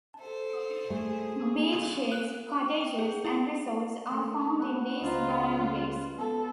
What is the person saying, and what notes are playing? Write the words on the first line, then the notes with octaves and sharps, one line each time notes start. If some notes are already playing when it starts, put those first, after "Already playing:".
Beach shades, cottages and resorts are found in these barangays.
A4 C5
A3 G#4
F#6
G5
G#4
E4
A3 A#3
F#4 B4 C#6
C#2 F4 C5 D#5 A#5
B3 A4